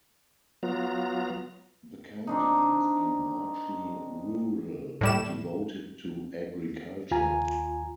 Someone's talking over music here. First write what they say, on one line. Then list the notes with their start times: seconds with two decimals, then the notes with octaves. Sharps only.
The county has been largely rural and devoted to agriculture.
0.63 F#3 B3 F4 A#5
2.27 C4 D4 D#4
5.01 A2 G3 E7
7.11 D#2 F4 G#5 A#5